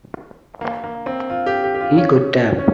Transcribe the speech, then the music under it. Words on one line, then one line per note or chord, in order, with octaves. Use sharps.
He could tap.
A#3
A#3
C4
F4
G4
G4
G4
F4
C#4
C#4